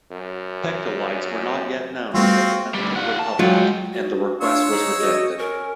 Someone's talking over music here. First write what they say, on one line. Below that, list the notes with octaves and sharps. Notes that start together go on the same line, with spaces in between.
Pectolites were not yet known in the Dominican Republic, and the request was rejected.
F#2
G3 A3 B3 C4 F4 F#4
D2 G3
F4 F#5
A5
F#3 G#3 F4 G5
F#4
D4 F4 C#5 E6
D#4 G#4
F#4 D#5
C#4 A#4